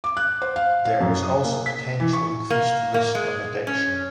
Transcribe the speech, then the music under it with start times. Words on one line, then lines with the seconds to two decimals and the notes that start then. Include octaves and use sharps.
There is also a potential increased risk of addiction.
0.04 D6
0.17 F#6
0.42 C5
0.56 F5
0.85 F5
1.01 F#2
1.23 D#6
1.44 A#3
1.66 B6
2.00 E3
2.13 C#6
2.50 A#3
2.94 A#3
3.15 G#3
3.67 C#4